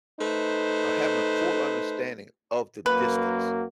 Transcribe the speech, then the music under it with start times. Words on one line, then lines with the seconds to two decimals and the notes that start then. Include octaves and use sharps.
or having a full understanding of the distance
0.20 A3 D#4 B4 C5
2.86 F#2 A#3 F#4 B4